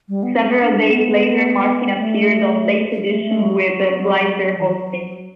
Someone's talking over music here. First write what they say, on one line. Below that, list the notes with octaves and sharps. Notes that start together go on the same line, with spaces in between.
Several days later Martin appeared on "Late Edition," with Blitzer hosting.
G3
B3
C4
B3
D4
D4
B3
A3
A3
A3
F#3
E3
F#3